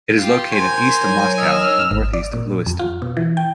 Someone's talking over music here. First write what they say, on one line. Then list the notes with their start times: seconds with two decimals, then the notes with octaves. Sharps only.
It is located east of Moscow and northeast of Lewiston.
0.19 F4 G4
0.52 A#4 C5 G#5
1.03 F#3 D#4 C#5
1.38 D#5 E6 F6
1.91 G#1
2.13 D5
2.33 A#2
2.66 F2
2.79 F4
3.02 B2
3.17 E3
3.37 G5